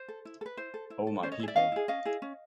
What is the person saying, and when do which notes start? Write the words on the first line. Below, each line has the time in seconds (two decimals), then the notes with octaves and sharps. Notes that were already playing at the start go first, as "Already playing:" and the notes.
O my people!
Already playing: C5
0.08 A4
0.25 E4
0.41 A4
0.46 B4
0.57 E4 C5
0.74 A4
0.90 E4
1.07 A4
1.23 C#4 C5 D5
1.32 C#5 D#5
1.40 E4 G#4
1.48 D5 E5
1.56 C#4 D#5 F5
1.72 E4 G#4
1.88 C#4 D#5 F5
2.05 E4 G#4
2.22 C#4